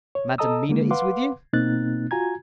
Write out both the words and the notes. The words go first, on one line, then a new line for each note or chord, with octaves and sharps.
Madam Mina is with you?
C#5
A4 D#5 A5 A#5 D#6 E6
D3 G#3 A#3
B4 F5 F#5 C6 D6
B2 A#3 C4 D#4 F#6 A6
F4 F#4 G#5 A#5 G#6